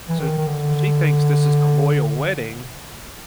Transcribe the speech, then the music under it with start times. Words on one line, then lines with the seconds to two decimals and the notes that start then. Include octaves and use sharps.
So so, she thinks this is a royal wedding,
0.09 E3
0.19 D#3
0.38 D#3
0.47 D3